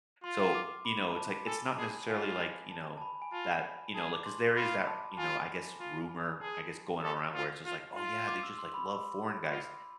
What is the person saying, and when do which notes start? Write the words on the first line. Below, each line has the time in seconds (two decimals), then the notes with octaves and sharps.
so, you know, it's like it's not necessarily, like, you know, that, you know, like 'cause there is that, you know, I guess, rumor, I guess, going around where it's just like, "Oh, yeah. They just, like, love foreign guys."
0.24 F4 C6
0.55 D6
0.85 B5
1.16 A5
1.47 A4 G#5
1.78 G#4 A5
2.09 F4 G#5
2.71 A5
2.98 A5
3.02 B5
3.22 G#5
3.32 F4 A5
3.95 G#4 A5
4.13 D6
4.26 C6
4.56 F4 B5
4.87 A5
5.13 A5
5.18 F4 G#5
5.80 F4
6.41 G#4 A5
7.04 A4
7.34 F4
7.66 F4
7.96 F4 C6
8.27 D6
8.43 E6
8.59 C6
8.74 B5
9.50 F4